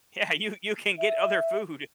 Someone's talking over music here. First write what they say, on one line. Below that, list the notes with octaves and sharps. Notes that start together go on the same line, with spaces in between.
Yeah, you you can get other food.
E5